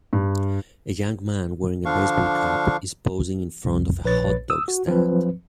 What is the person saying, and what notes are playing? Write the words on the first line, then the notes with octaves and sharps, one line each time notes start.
A young man wearing a baseball cap is posing in front of a hotdog stand.
G2
D3 F3 D4 F5 C#6
C2 F2
A#1 B4 C#5 A6
D#6 E6
F#4
F3 F#3 C4 B4